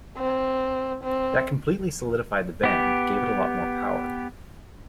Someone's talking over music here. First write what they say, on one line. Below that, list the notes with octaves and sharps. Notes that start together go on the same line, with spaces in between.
That completely solidified the band, gave it a lot more power.
C4
C4
B3 G4